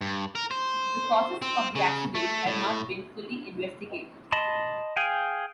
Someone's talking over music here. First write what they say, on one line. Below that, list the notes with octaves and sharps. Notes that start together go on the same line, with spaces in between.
The causes of the accident have not been fully investigated.
G2
A#4
C5
C4
C#3
A3
A2
D#5 A5 B5 C6
G#4 F5 G5 G#5